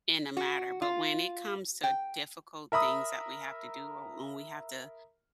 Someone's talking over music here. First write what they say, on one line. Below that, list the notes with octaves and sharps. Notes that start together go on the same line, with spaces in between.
in the matter, but when it comes to difficult things that we have to do, or when we have to
F#4
F4
G5
A#4 E5 B5 D#6